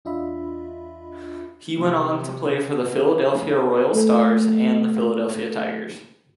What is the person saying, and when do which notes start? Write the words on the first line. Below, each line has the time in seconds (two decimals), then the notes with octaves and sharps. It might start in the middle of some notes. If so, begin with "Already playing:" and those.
He went on to play for the Philadelphia Royal Stars and the Philadelphia Tigers.
0.05 E2 D4 F4 D#5 E5 B5
1.76 C3
3.93 A3 A4